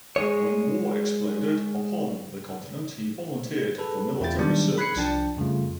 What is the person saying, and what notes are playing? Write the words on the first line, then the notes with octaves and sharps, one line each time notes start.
When war exploded upon the continent, he volunteered for military service.
G#3 G#4 C#5
G#4 A4 B4
E2 C4 E4 F4 G5 A6
D#3 F#3 G3 B3 D4
B5 F#6 G#6 C7 C#7
C2 F3 D4 G5 A5
F2 C#3 G3 A3 F4